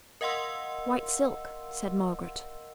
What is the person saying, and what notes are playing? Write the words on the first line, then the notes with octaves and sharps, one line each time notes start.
'White silk,' said Margaret.
A#4 D#5 F5 F#5 C6 E6